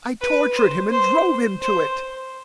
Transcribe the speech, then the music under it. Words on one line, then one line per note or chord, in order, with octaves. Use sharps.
I tortured him and drove him to it.
B4
C5
C5
C5